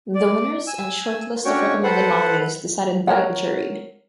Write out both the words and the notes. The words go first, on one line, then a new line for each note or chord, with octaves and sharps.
The winners and short list of recommended nominees decided by a jury.
D5
G#5 E6
C#4 D4 F#4 C#5 G5 C#6
A4 B4 C5 F#5
A#4 C#5 F#5